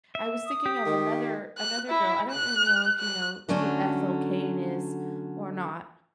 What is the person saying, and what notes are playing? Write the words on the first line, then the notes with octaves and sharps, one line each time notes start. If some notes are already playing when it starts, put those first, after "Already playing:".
I was thinking of another another girl, I don't even know if you know who Ethel Cain is or not,
E5
D#6
G4
D#3
F#6
E4
F#6
F#6
D3 F#3 A3 C#4